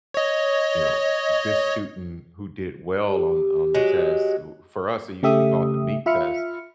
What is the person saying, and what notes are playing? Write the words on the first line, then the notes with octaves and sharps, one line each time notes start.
you know, this student who did well on on the test, who for us, it used to be called the MEP test,
C#5 D#5
G4
F#3 G#3
C#3 A3 G4 E5 D#6
F4 E5 B5 F6 C#7